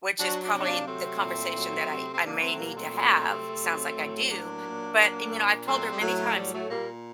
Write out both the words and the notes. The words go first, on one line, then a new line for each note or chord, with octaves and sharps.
which is probably the conversation that I I may need to have, it sounds like I do, but e mean, know, I've told her many times,
F#3 D4 F#4
D4 F#4
C3 D#4
A#3 D4
F#3 A3 C4
A#2
F#3
C3
C4
F#3 A#3 D4
A3 C4
C4
A#2 G3 A#3
A3 C4
F#3
C3
F#3
A2
F#3 A#3 D4
A#2
F#3
A#2
F#3 A3 C4
G3
A2 F#3 A3
F#3 G3
F#3 A3
A#2 G3 A#3